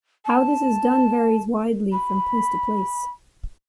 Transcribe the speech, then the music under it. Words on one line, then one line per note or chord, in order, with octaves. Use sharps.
How this is done varies widely from place to place.
A5
B5